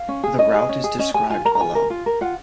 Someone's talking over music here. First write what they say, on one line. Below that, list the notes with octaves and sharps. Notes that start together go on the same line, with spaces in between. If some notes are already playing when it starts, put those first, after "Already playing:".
The route is described below.
Already playing: F5
C#4
G#4
C#4 D#5
G#4
C#4
G#4
C#4 D#5
G#4 G#5
F4 G#5
A#4 A#5
A#5
F4 G#5
A#4
F4
A#4
F4 F#5